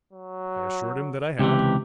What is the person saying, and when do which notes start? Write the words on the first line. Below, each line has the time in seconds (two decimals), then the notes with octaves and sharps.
I assured him that I had.
0.13 F#3
1.39 C#2 C3 E3 G4